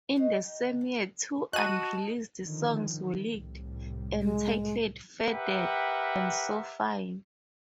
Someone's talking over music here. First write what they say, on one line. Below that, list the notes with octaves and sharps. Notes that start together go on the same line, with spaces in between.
In the same year two unreleased songs were leaked, entitled 'Faded' and 'So Fine'.
G#3 D#4 C#5 F#5
D#4 G4
D4
F#4 D#5 A5 F#6 D#7
D3 D#3 F3
C2 A2 G3
G#3
G4 A#4 B4 E5 F#5 G5